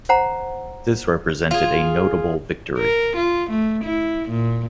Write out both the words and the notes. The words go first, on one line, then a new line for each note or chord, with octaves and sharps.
This represented a notable victory.
C5 F#5 A#5
F4 G#4
A#4
F4
A3
E4
A#2